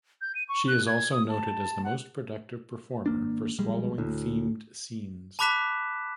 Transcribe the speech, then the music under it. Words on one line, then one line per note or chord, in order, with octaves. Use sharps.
She is also noted as the most productive performer for swallowing themed scenes.
G6
D#7
C#6
F#6
G#6
D#6
A5
F#5
G#1 A#3 D4
A#1 G3 G#3
D2 A2
A5 B5 D6 F#6 B6 E7